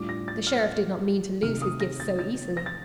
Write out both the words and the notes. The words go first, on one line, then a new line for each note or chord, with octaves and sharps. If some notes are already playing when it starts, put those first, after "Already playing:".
The Sheriff did not mean to lose his gifts so easily.
Already playing: A2 G3 D4 F4 D6
A#6
A6
F6
C3 D#3 A3 C4 D#4 F6
D#6
A#6
A6
A6
A#6
A6